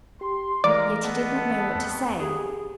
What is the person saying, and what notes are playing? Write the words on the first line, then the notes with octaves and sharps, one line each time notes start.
Yet he did not know what to say.
G4 C6
E3 G#3 A3 A#4 D5 F5 A#5
B3 A4 A5
F2
G4 G#4